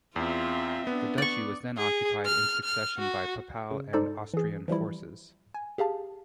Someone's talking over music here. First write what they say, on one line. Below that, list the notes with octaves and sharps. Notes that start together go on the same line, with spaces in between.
The duchy was then occupied in succession by Papal and Austrian forces.
E2 C4 F4 E5
B3 D4
D5 C#6
G#4
F6
F6
F#4
C#3
G#2 D#4 A4 C5 D5
E3 G#4
E3 F3 G3 E4
G#5
G4 G#4 F5 A5